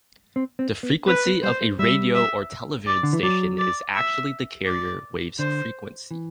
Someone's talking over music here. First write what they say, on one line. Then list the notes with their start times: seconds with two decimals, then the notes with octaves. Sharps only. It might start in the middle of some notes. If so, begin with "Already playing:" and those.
The frequency of a radio or television station is actually the carrier wave's frequency.
0.36 C4
0.59 C4
0.83 B3
1.07 C4 B4
1.26 B3
1.43 G3 C5
1.61 A3
1.79 G3 E5
2.15 E5
2.87 D5
3.03 D3
3.13 E3
3.23 F#3 D5
3.59 D5
3.95 E5
4.67 D5
5.39 D3 C5
6.11 E3